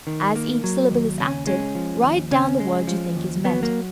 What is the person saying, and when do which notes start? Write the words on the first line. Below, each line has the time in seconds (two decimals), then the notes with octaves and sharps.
As each syllable is acted, write down the word you think is meant.
0.07 D#3
0.36 A#3
0.64 F#3
0.91 D#2
1.20 C#3 C#4
1.47 G#3 C#4
1.75 F3
2.03 D#2
2.31 C#3 C#4
2.60 G#3
2.87 F3
3.16 D#2
3.45 F#3 B3
3.63 A#3